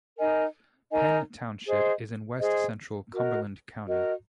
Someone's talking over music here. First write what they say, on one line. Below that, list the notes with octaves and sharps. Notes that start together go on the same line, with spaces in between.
Penn Township is in west-central Cumberland County.
D#4 A#4 D#5 G#5
D#4 A#4 D#5 G#5
G#4 C5 D#5
G#4 C5 D#5
F#4 A#4 D#5
F#4 A#4 D#5